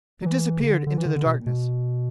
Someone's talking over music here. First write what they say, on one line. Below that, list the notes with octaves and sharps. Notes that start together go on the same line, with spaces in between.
They disappeared into the darkness.
F#3
E3
C#3
D3
D3
E3
D3
D3
B2
B2